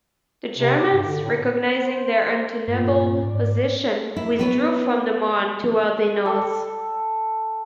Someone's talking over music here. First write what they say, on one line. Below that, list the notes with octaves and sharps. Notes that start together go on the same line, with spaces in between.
The Germans, recognising their untenable position, withdrew from the Marne towards the north.
C3
G4
G2
D3
A2
C5
G2 A#2
G#2 D5
E4
B3 B4 C#5
A4 G5